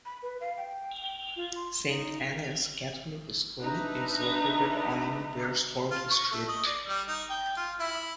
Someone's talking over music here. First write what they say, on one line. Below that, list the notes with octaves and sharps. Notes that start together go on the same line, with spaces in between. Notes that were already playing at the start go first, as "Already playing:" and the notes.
Saint Annes Catholic School is located on Beresford Street.
B5
B4
F5
G5
G5
F4
C6
D#4
D4 D#4 B4 E5 A#5
F4
C#6
A3
D#5
D5
G3
D#4
G5
F4
E4